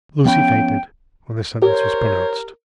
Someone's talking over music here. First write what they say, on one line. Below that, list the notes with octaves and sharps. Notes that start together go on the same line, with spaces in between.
Lucie fainted when the sentence was pronounced.
F3 B3 C#4 G5
G4 A#4 C5 C#5